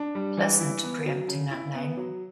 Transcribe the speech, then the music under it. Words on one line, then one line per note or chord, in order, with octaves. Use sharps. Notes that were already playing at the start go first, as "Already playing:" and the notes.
Pleasant preempting that name.
Already playing: D4
G3
E3
E4
B3
F#3
C#3
E4
B3
F#3